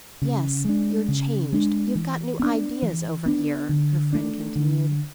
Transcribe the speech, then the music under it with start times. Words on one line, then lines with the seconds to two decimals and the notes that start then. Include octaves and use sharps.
"Yes, you're changed; you've got new ideas over here," her friend continued.
0.22 C#3
0.65 G#3 D4
1.08 C#3
1.52 G#3 D4
1.95 E3
2.39 B3 D4
2.82 E3
3.26 B3 D4
3.69 D3
4.13 A3 D4
4.56 D3